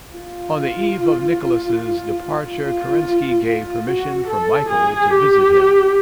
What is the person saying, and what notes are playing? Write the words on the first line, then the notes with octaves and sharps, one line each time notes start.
On the eve of Nicholas's departure, Kerensky gave permission for Michael to visit him.
F4
F4
F4
F#4
A4
G#4
G4